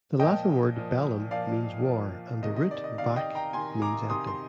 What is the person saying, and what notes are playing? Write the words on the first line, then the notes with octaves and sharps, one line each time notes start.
The Latin word "bellum" means war, and the root "vac-" means empty.
A#2 F3 D#5 G5
A#2 F3
A#2 F3 D5 F5
A#2 F3
C3 D#3 D#5
D#5
D5
D#5
C3 D#3 D5 F5
D#5 G5
G5 A#5
C3 D#3 G#5 C6
A#5 D6
C3 D#3 C6 D#6
C6